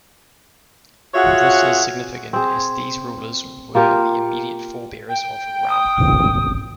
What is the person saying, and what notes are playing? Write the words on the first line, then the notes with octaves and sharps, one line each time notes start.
This is significant as these rulers were the immediate forebears of Rama.
F4 F#4 G#4 C#5 E5 F#5
C4 G#4
A#3 F4 G4 A#4
G5
D#6